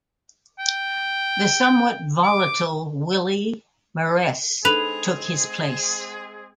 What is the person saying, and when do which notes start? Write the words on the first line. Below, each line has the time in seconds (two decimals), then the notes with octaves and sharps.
The somewhat volatile Willy Mairesse took his place.
0.59 G5
2.24 D6
4.65 G#3 C4 D4 D#4 G#4 A4 B4 F7